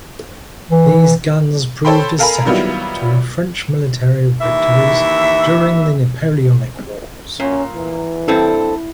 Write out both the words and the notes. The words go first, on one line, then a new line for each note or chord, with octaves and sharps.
These guns proved essential to French military victories during the Napoleonic wars.
E3
A4 C5 C#5 G5 B5 C6
A4 A#4 F5 G#5 A#5 B5
D#3 F#3 G3 B3 E4 F4
D#2 E3 E5
A#2 C#4
E3
G2 C4 E4 A4